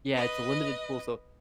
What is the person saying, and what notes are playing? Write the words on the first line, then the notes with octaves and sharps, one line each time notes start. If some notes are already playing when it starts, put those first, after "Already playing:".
Yeah, it's a limited pool, so
B4 D#5